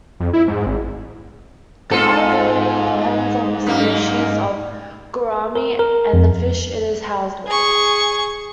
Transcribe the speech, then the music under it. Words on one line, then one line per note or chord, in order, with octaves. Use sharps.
Compatibility depends on the species of gourami and the fish it is housed with.
F2
E4
G#2
G#1
G#2 F4 A4
F#2 A#3
A#4
A#4
F2
G#4 C#6